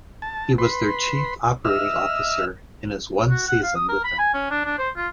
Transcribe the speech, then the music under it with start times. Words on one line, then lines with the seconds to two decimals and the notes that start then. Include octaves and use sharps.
He was their Chief Operating Officer in his one season with them.
0.22 A5
0.58 B4 B5 C6
1.65 D#5 E5 E6 F6
3.30 F#4
3.48 F#5
3.63 F5
3.75 D#6
3.89 A#4
4.04 B5
4.19 G#5
4.34 C#4
4.51 D4
4.65 D4
4.78 C5
4.96 F4